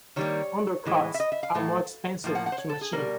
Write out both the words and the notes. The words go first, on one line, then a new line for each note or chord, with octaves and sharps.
Undercuts are more expensive to machine.
D#3 G3 A#3 C#5
A2 E3 G#3
E5
D#5
E5
F5
A2 F#3 A3
A2 F3 A#3
F#5
F#5
C5
C#5
A4
G#4
B2 G3 A#3 A#4